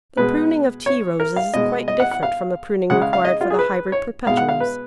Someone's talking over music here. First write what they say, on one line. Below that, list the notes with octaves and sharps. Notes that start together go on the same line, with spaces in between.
The pruning of Tea Roses is quite different from the pruning required for the Hybrid Perpetuals.
B2 G#3 B4
C#5
A#4
F5
B2 G#3 D#5
D#5
F#5
F#5
F5
C#3 G#3 F#5
F5
F5
D#5
F4
G#4
B4
C#5
B2 G#3 F5
F#5
F5
B4